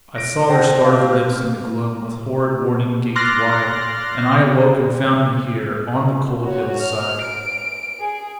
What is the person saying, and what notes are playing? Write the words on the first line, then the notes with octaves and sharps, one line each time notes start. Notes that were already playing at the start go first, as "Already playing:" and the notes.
I saw their starved lips in the gloam, With horrid warning gaped wide; And I awoke and found me here On the cold hill's side.
A#6 D7
C5 F#5 G5 A5 A#6
C4 G4 F5
F6
C6 D6 F6 F#6 A6 A#6
F#4 C#5
F6
D7
G#4